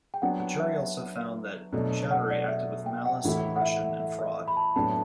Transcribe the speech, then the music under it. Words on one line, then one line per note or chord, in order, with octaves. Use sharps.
The jury also found that Choudhury acted with malice, oppression and fraud.
G5
F#3 B3 D4 F#5
E5
B2 F#3 A3 D4
F#5
D5
E5
G5
F#5
A2 E3 A3 E4
F#5
E5
E5
E5
B5
A5
A2 F#3 B3 D4 A5